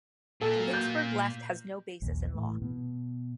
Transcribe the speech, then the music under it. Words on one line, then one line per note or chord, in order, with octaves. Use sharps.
The Pittsburgh left has no basis in law.
A#2 A#3 A4
F#3
G6
A#1 D#2
A2 E3
B2